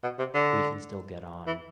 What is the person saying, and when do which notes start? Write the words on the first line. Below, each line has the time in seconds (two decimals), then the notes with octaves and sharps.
we can still get on
0.03 B2
0.19 C3
0.35 D3
1.47 E3